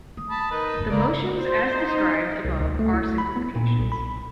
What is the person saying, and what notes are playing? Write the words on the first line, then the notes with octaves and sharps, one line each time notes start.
The motions as described above are simplifications.
A3 D#6
A5 B5
D#4 A#4 B4
F#1 G2
C#3 A#3 D5 A#5 B5
C5
D#4
C2
D2
A3
E4
B5
B3
A#2
B1
B5